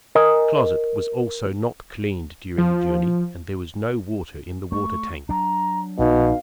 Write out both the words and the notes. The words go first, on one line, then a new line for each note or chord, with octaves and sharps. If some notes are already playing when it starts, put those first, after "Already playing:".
The closet was also not cleaned during the journey and there was no water in the water tank.
A#4 D#5 G#5
F3
A3 C#6
F#3 D4 A#5
A#1 B2 D#4 F5